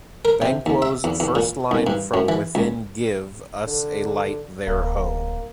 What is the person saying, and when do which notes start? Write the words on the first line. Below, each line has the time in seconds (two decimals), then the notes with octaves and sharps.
Banquo's first line from within Give us a light there, ho!
0.25 A#4
0.42 C3
0.66 D#2
0.82 E5
1.04 E2
1.20 E2
1.35 A#2
1.71 C2
1.87 G2
2.14 F#2
2.29 E3
2.55 C#2
3.67 D3
4.67 D1 A#3
4.82 A#3